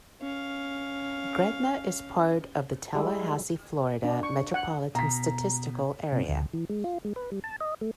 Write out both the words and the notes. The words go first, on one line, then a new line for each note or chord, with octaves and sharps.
Gretna is part of the Tallahassee, Florida Metropolitan Statistical Area.
C#4 F5
G3 G#3 E4
D4
C#6
F#5
B2 A#5 B6
C3
D2
E3
G#3
F4
G#3
B4
G3
A5
D#5
A3